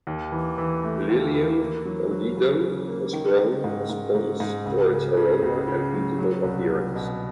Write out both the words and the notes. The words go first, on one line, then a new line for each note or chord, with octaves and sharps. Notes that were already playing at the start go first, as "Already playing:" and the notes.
Lilium candidum was grown as ponds for its aroma and beautiful appearance.
D#2
E3
E3
A3
D#2
E3
A#3
F#3
F#3
C#3
C#3
A#3
D#3
D#3
G#2
G#2
G#2
G#2
C#2
C#3
C#3
C#2
C#3
F#3
F#3
C2
C2
B2